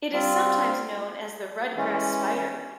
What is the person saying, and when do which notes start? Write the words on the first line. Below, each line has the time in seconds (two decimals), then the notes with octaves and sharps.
It is sometimes known as the red grass spider.
0.13 G3 C4 F4
1.76 E3 G#3 C#4